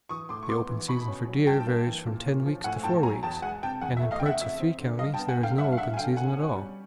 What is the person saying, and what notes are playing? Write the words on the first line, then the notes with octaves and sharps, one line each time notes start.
The open season for deer varies from ten weeks to four weeks, and in parts of three counties there is no open season at all.
E3 C#6 D#6
A2 C6 D6
C#6
B3 C6 D6
E3
B2 B5 C#6
C#4
F#3
G2 G5 A5
A#3
E3
A#2
C#4
F3
A2 F#5 G#5
A2 G5 A5
F#3 G#5 A#5
E2 G5 A5
G#3 F#5 G#5
C3 G5 A5
E2 F#5 G#5
E5
A3
D#5 F5
C#3 G5
E5 F#5
F2 E5
C4
D3
G2 D#5 F5
G5 A5
B3
F#5 G#5
D3 F5 G5
G2 E5 F#5
F5
G2 E5 F#5
G#5
D3 F5 G5
B2 F#5 G#5
C#4
G3